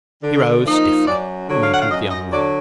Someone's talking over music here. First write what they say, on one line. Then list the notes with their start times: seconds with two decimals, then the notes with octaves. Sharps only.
He rose stiffly and went into the other room.
0.22 D3
0.64 F3 A#3 D#4
1.06 F#2 D5
1.48 D3 F#3
1.62 F5
1.72 F#5
1.81 F5
1.90 F#2 D#5
2.11 D#5
2.32 D3 F#3 D5